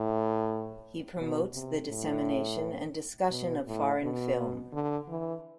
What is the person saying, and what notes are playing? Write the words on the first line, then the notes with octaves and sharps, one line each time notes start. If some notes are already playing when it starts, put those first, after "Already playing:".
He promotes the dissemination and discussion of foreign film.
Already playing: A2
B2
C3
A2
B2
A2
B2
D3
E3